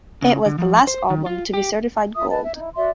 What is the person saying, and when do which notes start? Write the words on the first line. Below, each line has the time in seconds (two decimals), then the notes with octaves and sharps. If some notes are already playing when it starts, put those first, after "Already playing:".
It was the last album to be certified Gold.
0.22 C#3
0.46 D3
0.58 F3
0.87 C5
1.10 D#3
1.26 F4
1.54 G4
2.15 F4 E5 D#6
2.29 B4 D#5 A5
2.42 E5
2.55 D#4 E4
2.74 F#4 D5 E5 C6